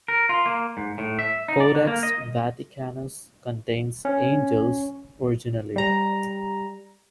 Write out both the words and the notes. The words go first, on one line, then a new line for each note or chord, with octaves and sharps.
Codex Vaticanus contains "angels" originally.
A#4
F4
A#3
G#2
A2
E5
D#4
D5
D3
A#3
D#5
C#4
G3 A#5